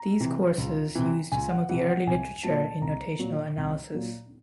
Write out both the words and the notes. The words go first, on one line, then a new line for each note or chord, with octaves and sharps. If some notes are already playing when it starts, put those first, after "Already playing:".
These courses used some of the early literature in notational analysis.
Already playing: A#5
C3 E3
C#2
C3 E3
C#2 G#5
F#5
C3 E3 F#5
F#5
C2 G#5
A#2 F#3 A5
C2 A#5
A#2 F#3
C2
A#2 F#3